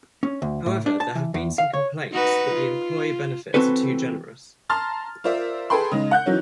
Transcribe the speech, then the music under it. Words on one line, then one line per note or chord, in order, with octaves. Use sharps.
However, there have been some complaints that the employee benefits are too generous.
C#4
D2
A2
D4
A5
E3
E2
F5
C#5
D#4 F#4 B4
F4
E3 A#3 C4 F#4 A4 B4
A5 A#5 C6 F6 A6
F4 A#4 C5 D5 E5
G#4 A4 B4 G5 B5 C6
C#3 G#3 D#4
F#5 F#6 G6
D#3 E3 F#3 C#4